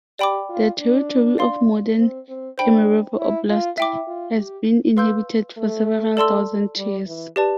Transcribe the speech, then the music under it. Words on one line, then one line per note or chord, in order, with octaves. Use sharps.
The territory of modern Kemerovo Oblast has been inhabited for several thousand years.
G4 D5 G5 B5 D6
F4
D4
D5 F5 C6
C4
C4
D4 C5 G5 B5
E4
F4
E4 E5 G5 D6
F4
G4
B4 F5 C6 E6 G6
A3
A4 D5 A5 C6 E6
G3
E3
G4 B4 D5 A5